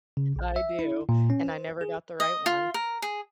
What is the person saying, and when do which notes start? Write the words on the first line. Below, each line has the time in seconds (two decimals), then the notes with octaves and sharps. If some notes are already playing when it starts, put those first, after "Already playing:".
I do, and I never got the right one.
0.17 C#3
0.36 A#1
0.56 E5
0.79 E4
1.09 A#2
1.30 C#4
1.49 C5
1.81 G#4
2.20 D#5
2.46 F4
2.74 A#4
3.02 G#4